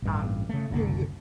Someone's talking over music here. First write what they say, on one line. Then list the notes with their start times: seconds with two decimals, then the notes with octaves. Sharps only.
um, you you
0.02 A1 G2
0.49 C#3 A3
0.70 F#1 C2 B2 D3